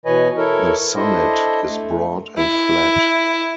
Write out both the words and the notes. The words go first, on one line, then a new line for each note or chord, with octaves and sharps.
The summit is broad and flat.
B2 E3 B4 C#5 D#5 G#5
E4 A4 A#4 C#5
D4 E4 A4 C5 D#5
A3
E4